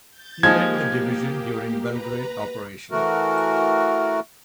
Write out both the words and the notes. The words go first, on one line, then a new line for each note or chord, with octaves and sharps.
He led the division during Belgrade Operation.
G6 A6
F3 G#3 A#3 D#4 G4 G#6
B4 A#5
E3 A3 F#4 A#4